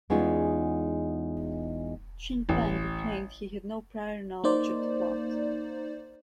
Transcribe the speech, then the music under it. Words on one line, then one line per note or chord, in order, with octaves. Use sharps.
Chin Peng claimed he had no prior knowledge of the plot.
E2 G#3 B3 C#4 D#4 F4
A1
A#3 D#4 C5 D5